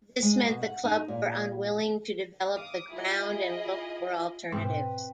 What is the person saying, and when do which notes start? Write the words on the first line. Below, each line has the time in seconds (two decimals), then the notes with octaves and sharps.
This meant the club were unwilling to develop the ground and looked for alternatives.
0.22 G#3
0.42 B2
0.62 F#5
0.84 D#4
1.08 A#2
2.57 F5 D6 D#6
2.91 E4 F4 G#4 D#5
4.52 G#2 B2 C4 B4